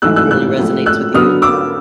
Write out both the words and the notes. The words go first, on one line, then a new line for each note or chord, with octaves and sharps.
really resonates with you?
G#2 E3 A3 E6 F#6
E6 F#6
E6 F#6
A2 F3 G#3
E6 F#6
D3 F#3 B3 D#6 F6
D6 E6